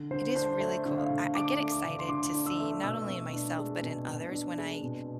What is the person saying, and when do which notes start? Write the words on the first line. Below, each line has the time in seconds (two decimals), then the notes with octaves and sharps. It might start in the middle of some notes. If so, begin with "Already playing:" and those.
it is really cool I I get excited to see, not only in myself, but in others, when I
Already playing: D3
0.11 D3 C5
0.35 D4 C5
0.60 A3
0.85 D3
0.98 F5
1.10 D3
1.35 D4 D6
1.60 A3
1.72 D6
1.85 D3
1.99 C6
2.09 D3 D6
2.34 D4
2.46 E6
2.59 A3
2.83 B2 E6
3.08 B2
3.33 D4
3.59 G#3
3.83 B2
4.08 B2
4.32 D4
4.58 G#3
4.82 B2